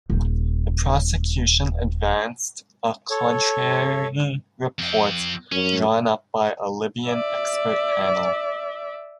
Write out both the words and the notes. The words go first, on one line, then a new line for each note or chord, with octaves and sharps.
The prosecution advanced a contrary report drawn up by a Libyan expert panel.
D#1 D#4
A4 C#5
F2 C4
F#2 C#4
D5 E5